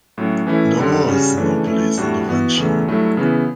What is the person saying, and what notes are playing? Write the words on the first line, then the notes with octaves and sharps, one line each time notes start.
There was no police intervention.
A2 F#3 C#4
E3 A3 C#4 E4
F#2 D3 G3
C#3 G3 C#4 F#4
C#3 E3 A3 D4
E3 A3 C#4
A2 G3 D4 F#4
E3 B3 F#4
E2 C#3 E3 A3
G2 F#3 A3 E4
C#3 E3 B3 E4